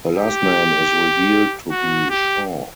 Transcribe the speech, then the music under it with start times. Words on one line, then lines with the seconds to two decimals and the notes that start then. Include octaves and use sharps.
Her last name is revealed to be Shaw.
0.17 G4
1.71 F#4
2.10 G4